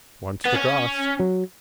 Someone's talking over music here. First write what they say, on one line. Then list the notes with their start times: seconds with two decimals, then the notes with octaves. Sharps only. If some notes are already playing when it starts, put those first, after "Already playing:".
Wants to cross.
0.45 B3
0.54 C#4
1.19 F#3